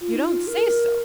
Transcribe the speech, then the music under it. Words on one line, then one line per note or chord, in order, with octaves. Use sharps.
"You don't say so?"
F4
D#4
F4
A#4